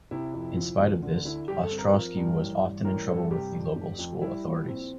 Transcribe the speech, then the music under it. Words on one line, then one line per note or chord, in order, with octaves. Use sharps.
In spite of this Ostrowski was often in trouble with the local school authorities.
C3 E4
F2
F3
D2
D3
D3 E4
G2 G4
A4
C4
A#4
F3
G2
A1
G2
A1 A#4
G2 A4
C3 G4
F2
F1
F2
G3 E4
A#1
C4